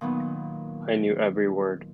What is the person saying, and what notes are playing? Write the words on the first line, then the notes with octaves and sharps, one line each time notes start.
I knew every word.
A#2 D#3 F#3 B3